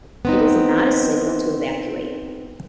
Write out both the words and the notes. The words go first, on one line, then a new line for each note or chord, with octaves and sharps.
It is not a signal to evacuate.
B3 C4 D#4